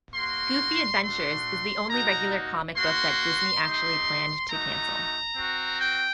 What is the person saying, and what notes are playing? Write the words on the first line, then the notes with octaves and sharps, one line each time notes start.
Goofy Adventures is the only regular comic book that Disney actually planned to cancel.
A#3 F#4 C6
A3 D4 F#4 C6
A#3 D#4 F#4 A#5
A#3 F#4 C6
A3 D#4 G4 C6
A3 D#4 F#4 A#5
C4 F#4
G5